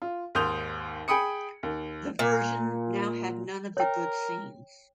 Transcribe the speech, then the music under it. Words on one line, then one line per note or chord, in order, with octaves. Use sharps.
The version now had none of the good scenes.
F4
D#2 G#2 C6 D#6 G6 F7
G#4 G5 B5 D#6 C#7
D#2
A#2
A#4 C#5 G5